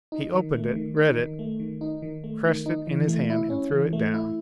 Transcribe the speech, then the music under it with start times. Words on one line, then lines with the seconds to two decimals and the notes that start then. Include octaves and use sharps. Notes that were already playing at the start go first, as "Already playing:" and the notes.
He opened it, read it, crushed it in his hand and threw it down.
0.12 D#4
0.34 D#3
0.54 A3
0.76 D#3
0.97 D#4
1.18 D#3
1.39 A3
1.60 D#3
1.81 D#4
2.02 D#3
2.24 A3
2.45 D#3
2.66 D#4
2.87 E3
3.08 A3
3.30 E4
3.50 C#4
3.72 E3
3.93 A3
4.14 E4